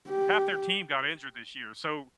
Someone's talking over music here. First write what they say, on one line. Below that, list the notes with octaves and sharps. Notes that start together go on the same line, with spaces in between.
half their team got injured this year, so
G4